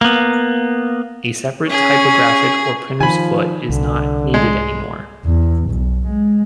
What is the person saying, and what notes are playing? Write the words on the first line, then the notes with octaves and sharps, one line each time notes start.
A separate typographic or printer's foot is not needed anymore.
A#3 B3
C#4 G#4
D#3 F3 G#5 B5
C2 D3
G#3
E2
B1
G#3